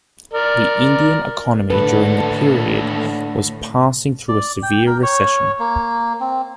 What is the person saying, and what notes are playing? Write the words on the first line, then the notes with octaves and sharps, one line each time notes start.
The Indian economy during the period was passing through a severe recession.
A#4 D5
D#2 A2 D3 A4 B4
D5
G5
A#4
C#5
A#3
C4